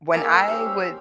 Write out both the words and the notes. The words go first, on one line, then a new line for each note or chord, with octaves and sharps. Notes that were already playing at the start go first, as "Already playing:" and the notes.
when I would
A#3 G4 G#4 A#4 E6
C#4 G4 C5